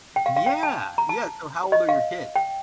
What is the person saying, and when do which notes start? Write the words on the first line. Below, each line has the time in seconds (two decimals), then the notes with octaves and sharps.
Yeah, yeah. So how old are your kids?
0.16 G5
0.26 F5
0.36 F5
0.46 G5
0.63 A5
0.98 A#5
1.09 A5
1.72 D#5
1.89 F5
2.36 G5